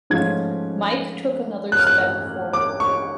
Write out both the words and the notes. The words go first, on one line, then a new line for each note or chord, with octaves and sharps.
Mike took another step forward.
G#2 F3 A3 C#4 F4 G#6
F#6
F6
F#6
D6
C#6